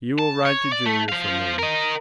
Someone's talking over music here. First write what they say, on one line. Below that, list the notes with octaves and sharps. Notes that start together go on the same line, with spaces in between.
You will write to Julia for me.
A5
C#5
D5
A3
F3 F5
A#4 D#5